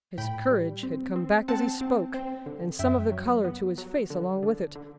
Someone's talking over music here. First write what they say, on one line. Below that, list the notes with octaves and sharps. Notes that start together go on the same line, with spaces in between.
His courage had come back as he spoke, and some of the colour to his face along with it.
A2 G5 B5
G3
C4
C4
C4 F#5 A5
C4
C4
D3
F#2 E5 G5
F#3
B3
F#3
D3
D3
D3